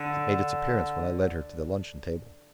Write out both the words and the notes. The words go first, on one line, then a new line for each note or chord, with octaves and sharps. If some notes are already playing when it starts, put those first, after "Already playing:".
It made its appearance when I led her to the luncheon table.
Already playing: D3